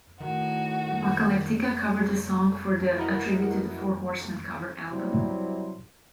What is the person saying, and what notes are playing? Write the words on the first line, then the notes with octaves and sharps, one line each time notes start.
Apocalyptica covered the song for the "A Tribute to the Four Horsemen" cover album.
A2 D#3 F#4
E4 F#4 A#4 B4 D#5 F#5
C3 F#3 G3 E4 C5